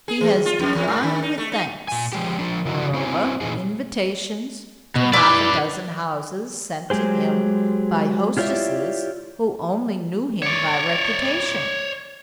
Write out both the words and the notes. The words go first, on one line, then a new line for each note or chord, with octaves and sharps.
He has declined with thanks, moreover, invitations to half a dozen houses sent to him by hostesses who only knew him by reputation.
G#4
E3
D#2
F4
F2
E2
G#2
D#3
D#4
A3
D#4
A#2 G#5
F3 G#3 G4
F3 D4
C#3 E3 E4 F#4
C4 E4 F#4 C5 E5 G#5
A#2 E3 D#4 G#4
B2
E4 B4 D5 D6
F#3 G#3 G4 G#4 C5
E4 F4 G4 C#5 D5 E5
C#5 D5